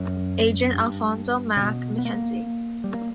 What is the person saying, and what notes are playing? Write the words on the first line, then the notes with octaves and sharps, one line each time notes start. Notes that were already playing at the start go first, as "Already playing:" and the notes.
Agent Alphonso "Mack" MacKenzie.
Already playing: F#2
G2
C#3
B2
B3
A#3
G3
A#3